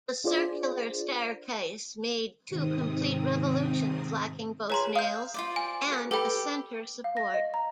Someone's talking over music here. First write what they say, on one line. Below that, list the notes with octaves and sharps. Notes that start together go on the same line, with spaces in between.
The circular staircase made two complete revolutions lacking both nails and a center support.
D4 F4 G#4 C5 D5
G#2 C3 D#3 C4 D#6
F4 G#4 B4 C#5 A#5 C6
F5 D#6 G6
F4 C5 D5
G#5
F#4 A#4
G4 A4 B4 G5 A#5 B5
F5
A#6
D#5
A#5